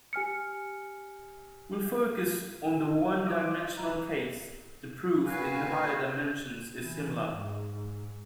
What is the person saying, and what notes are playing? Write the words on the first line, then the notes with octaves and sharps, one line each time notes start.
We'll focus on the one-dimensional case, the proof in higher dimensions is similar.
G4 G#5 F6 C#7
F4 D#5 D6
D#4 E4 F#6
A#2 F#4 B4 F5 G#5
E3
G#2